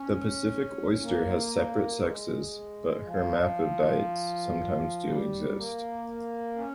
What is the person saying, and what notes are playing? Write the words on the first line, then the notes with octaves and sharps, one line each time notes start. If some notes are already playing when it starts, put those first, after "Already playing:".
The Pacific oyster has separate sexes, but hermaphrodites sometimes do exist.
Already playing: C#4
A#3
G#3
F3
G3
A#3
C#4